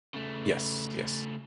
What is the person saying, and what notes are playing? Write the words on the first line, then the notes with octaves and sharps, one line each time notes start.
Yes, yes.
C#3 A3